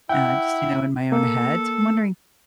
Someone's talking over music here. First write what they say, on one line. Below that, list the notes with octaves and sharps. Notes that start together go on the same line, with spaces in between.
and I just, you know, in my own head. So, I'm wondering,
E4 F#5 G5
A#3 A4